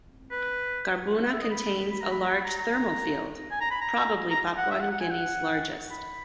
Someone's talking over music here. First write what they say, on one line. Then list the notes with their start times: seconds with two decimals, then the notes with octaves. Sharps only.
Garbuna contains a large thermal field, probably Papua New Guinea's largest.
0.31 B4
1.21 F#5
1.31 E5
1.41 D#5
1.51 B5
1.91 B5
2.01 A#5
2.11 B5
2.21 A#5
2.31 B5
2.44 A#5
2.58 A#5
3.51 G#5
3.61 A#5
3.71 B5
3.81 A#5
4.30 A#5
4.57 F#5
4.71 E5
4.80 F#5
4.91 F#5
5.01 G#5
5.10 F#5
5.91 B5